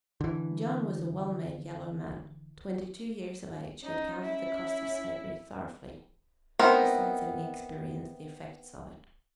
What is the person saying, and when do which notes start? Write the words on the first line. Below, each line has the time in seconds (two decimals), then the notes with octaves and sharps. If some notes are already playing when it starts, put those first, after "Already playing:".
John was a well-made yellow man, twenty-two years of age, who had counted the cost of slavery thoroughly, besides having experienced the effects of it.
0.21 D3 E3
3.84 C#4 D#4
4.22 E4
6.59 B3 C4 D#4 E4 A#4